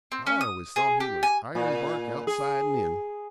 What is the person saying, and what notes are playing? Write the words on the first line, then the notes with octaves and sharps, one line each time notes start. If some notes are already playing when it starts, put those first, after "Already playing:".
I always thought he was ironbark outside and in.
C4
C#4
D#6
G#4
G4
G#5
A#2
G#4